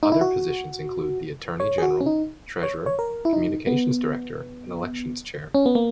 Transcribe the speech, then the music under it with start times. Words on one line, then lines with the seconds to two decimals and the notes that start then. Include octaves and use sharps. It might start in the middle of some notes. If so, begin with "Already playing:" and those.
Other positions include the Attorney General, Treasurer, Communications Director, and Elections Chair.
0.03 D#4
0.12 E4
0.21 F#4
1.60 C#5
1.78 G#4
1.82 F#4
2.01 C#4
2.06 D#4
2.63 C#5
2.86 C#5
2.99 A#4
3.25 E4
3.33 D#4
3.67 B3
5.54 C#4
5.66 B3
5.75 A#3